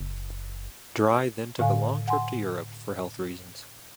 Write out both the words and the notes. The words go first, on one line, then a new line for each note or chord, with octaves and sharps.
Dry then took a long trip to Europe for health reasons.
F#1
A2 D3 F5 G#5
F#5 G#5 C6